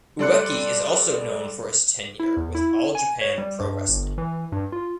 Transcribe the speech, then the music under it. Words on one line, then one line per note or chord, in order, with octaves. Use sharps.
Ueki is also known for his tenure with All Japan Pro Wrestling.
G3 A4 D5 C6 F#6 C#7
E4
E2
E4
G#5
C#5
G3
G2
G1
E3
G2
F4